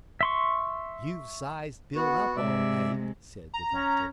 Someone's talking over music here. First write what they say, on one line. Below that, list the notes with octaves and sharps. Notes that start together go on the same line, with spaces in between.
"You've sized Bill up all right," said the Doctor.
E5 C6 C#6
B3 F#4
C3 G#3 D5 E5
A#5
C#4